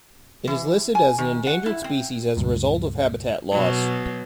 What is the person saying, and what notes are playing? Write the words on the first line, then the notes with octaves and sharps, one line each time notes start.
It is listed as an endangered species as a result of habitat loss.
E3
G#5
D#3
F#5
E4
C4
C#2 G2 A#2
B2 F#3